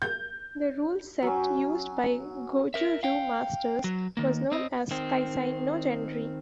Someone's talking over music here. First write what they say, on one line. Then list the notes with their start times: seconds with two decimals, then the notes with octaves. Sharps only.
The rule set used by Gōjū-ryū masters was known as Kaisai no genri.
0.02 G6
1.23 F#3 C#4
2.74 A#4 E5
3.03 F5 G5
3.84 F#3
4.17 D#3 A#3
4.52 C4 D#5
4.91 D#3 C4